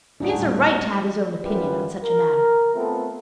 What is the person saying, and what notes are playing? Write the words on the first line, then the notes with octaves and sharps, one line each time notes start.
"He has a right to have his own opinion on such a matter."
D#1 A2 G3 A3 D4 D#4 F#4 D7
F#2 E3 G3 F4 B4
A#4
A3 B3 C4 F4 A4 A#4